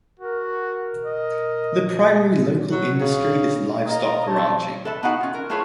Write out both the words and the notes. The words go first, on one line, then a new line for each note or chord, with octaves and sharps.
The primary local industry is livestock ranching.
F#4 A#4
D#5
F#3
C#3
F4 A#4 D#5 A#5
A3 C5 C#5 A5
A4 B4 E5 A5
B3 D#4 E4 F#4 F5 F#5
C#4 F4
A#4
A3 E4 F4 G#4 B4 C#5